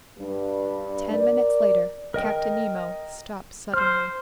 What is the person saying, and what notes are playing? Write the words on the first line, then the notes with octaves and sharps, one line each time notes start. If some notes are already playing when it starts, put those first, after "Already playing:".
Ten minutes later, Captain Nemo stopped suddenly.
G2
A#4 D5
A#4 D#5 G5
C5 F6